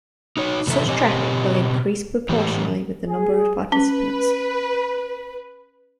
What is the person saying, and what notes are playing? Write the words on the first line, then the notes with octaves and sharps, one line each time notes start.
Such traffic will increase proportionally with the number of participants.
D#4 F#4 C#5
A2 C3 E3 D#4 A4 E5
B2 C4 G4 C#5 D#5 G#5
A2 E3 G4
G#4
C#4 B4